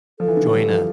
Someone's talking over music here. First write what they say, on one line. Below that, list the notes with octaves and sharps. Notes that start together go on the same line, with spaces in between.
join a
F3 A4
E3
D3
E3
G3
F3